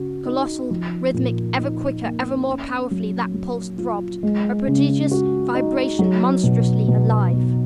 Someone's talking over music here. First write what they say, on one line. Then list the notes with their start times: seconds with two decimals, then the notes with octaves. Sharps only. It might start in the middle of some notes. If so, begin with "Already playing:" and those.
Colossal, rhythmic, ever quicker, ever more powerfully that pulse throbbed--a prodigious vibration monstrously alive.
Already playing: C#3 F#4
0.25 D#4
0.71 F3
1.14 A#2
1.58 D#4
2.03 A#3
2.46 C#4
2.91 F#3
3.34 F#3
3.78 F4
4.23 G#3
4.67 C#3
5.11 F#4
5.55 D#4
5.99 F#3
6.43 B2
6.88 B2
7.32 B3